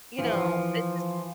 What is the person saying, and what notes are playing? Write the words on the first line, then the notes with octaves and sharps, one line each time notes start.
you know? It's just
E3 F3 C5